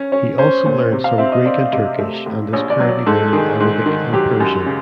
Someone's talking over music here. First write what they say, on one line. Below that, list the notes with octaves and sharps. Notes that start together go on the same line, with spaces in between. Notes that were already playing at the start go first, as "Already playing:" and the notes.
He also learned some Greek and Turkish and is currently learning Arabic and Persian.
Already playing: C#4 C#5
C#4 C#5
C#4 C5
A#2
C3
F5
C4 E5
D#5
C4 D5
C3 D#5
A3
A2
A#1 C#5
D5
F#3
C#5
G#2 A4
D#3 G#4
G#2
D#3
F#3 G4
F#2
C#3